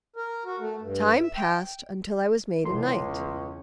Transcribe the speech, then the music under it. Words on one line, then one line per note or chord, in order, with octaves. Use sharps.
Time passed until I was made a knight.
A#4
F#4
A3
G2
E5
G5
C#2 C3 E3 A3 A#4 C6
E2 C#4